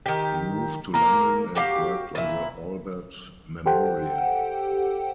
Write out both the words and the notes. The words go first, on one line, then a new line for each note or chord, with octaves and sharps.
He moved to London and worked on the Albert Memorial.
D#3 G4
A#3 A#4
F#4 G4 F5
A#2 E4
G4 A4 C5 F#5 G5